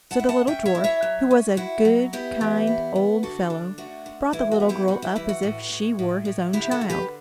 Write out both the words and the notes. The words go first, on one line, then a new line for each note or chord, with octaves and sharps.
So the little dwarf, who was a good, kind old fellow, brought the little girl up as if she were his own child.
F#5 A5
E4
F#5 A5
C#4 E5 G5
C#5 E5
E4
C#5 E5
F#3
C#4
E4 F#4
F#3
B3 E4 G4
E3
B3
B3
D3 F#4 A4
D4
A3 F#4
D3
E3 E4
F#4
B3
E4 G4
G3 F#4
E4
E3 E4
F#4
A2
A2
A2
A2
D3 E4 G4
F#4 A4
D3
G4 B4